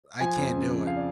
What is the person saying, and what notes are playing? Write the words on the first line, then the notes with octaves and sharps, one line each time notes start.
I can't do it.
F3 G#5
F2
C#3
F3
F5
D5